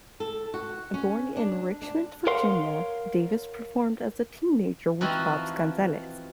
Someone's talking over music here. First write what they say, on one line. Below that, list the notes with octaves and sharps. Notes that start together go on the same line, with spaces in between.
Born in Richmond, Virginia, Davis performed as a teenager with Babs Gonzales.
A4
F#4
C#4
D4
D4
A#4 C#5 F5 F#5 C6
E3 F3 C4 D#4 F#4